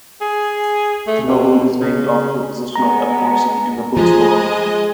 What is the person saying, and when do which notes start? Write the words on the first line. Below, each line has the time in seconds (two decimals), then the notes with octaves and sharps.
The novel is named after the position of Abhorsen in the book's world.
0.21 G#4
1.07 A3
1.27 B2
1.80 C#3
2.75 G#3 B3 A#5
3.97 F3 G#3 G#4 D#5